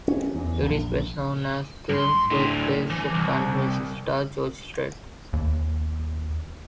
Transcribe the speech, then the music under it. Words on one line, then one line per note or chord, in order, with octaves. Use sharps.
It is best known as the birthplace of country music star, George Strait.
C#4
E2
A#1
G2 C6
A2 D3
E3
C2
D#2